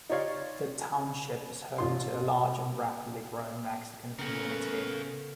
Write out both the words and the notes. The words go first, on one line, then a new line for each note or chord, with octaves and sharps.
The township is home to a large and rapidly growing Mexican community.
D#4 F4 G4 C#5 D5 F5
A1 F4 C6
C#3 A3 B3 A#4 F#5